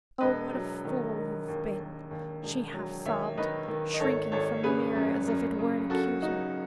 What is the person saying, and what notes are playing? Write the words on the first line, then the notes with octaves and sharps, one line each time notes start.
"Oh, what a fool you've been," she half sobbed, shrinking from the mirror as if it were an accuser.
E1 B4 D#5
F#3
D#3
D#3
D#2
D#2
D#2
E1
F#3
D#2 C#5 E5
D#3 B4 D#5
D#3
D#5
G#1 A4 C#5
G#1 A4 C#5
C#3 G#4 B4
F#2
F#2
C#3
F#2 F#4 A4
C#3 D#4 F#4